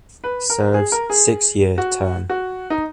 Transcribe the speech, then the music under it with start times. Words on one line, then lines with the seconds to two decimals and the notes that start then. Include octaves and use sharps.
Serves six year term.
0.24 B4
0.50 A#4
0.74 G#4
0.92 A#4
1.10 G#4
1.78 F#4
2.30 F#4
2.70 D#4